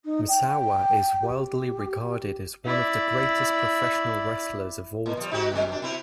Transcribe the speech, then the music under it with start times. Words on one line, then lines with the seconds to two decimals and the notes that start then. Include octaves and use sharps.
Misawa is widely regarded as one of the greatest professional wrestlers of all time.
0.04 D#4
0.28 G5
1.22 G4
2.65 E4 D5
5.06 A#2
5.17 F3 G3
5.31 D#4 F#4 G4
5.51 C3 G3
5.68 F#2 D4
5.82 C3 E4